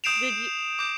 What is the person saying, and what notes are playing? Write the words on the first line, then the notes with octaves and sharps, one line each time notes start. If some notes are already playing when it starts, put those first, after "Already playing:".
Did you
D#6 G6 C7 D7 E7 F7
D6 G6